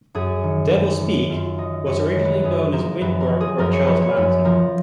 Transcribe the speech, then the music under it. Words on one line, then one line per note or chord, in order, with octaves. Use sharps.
Devil's Peak was originally known as Windberg or Charles Mountain.
F#2 G#4
D#3
F#2
D#3
F#2 F4
D#3 D#5
F#2 C#5
C#5
D#3
B4
F#2 G#4
F3 A#4
F#2 B4
A#4
F3
G#4
F#2 A#4
C#5
F3 B4
C#5
F#2
F3 A#4